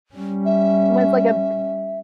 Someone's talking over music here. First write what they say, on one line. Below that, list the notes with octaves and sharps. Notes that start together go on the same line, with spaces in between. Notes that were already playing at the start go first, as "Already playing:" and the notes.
When it's, like, a
G3 C#4
E5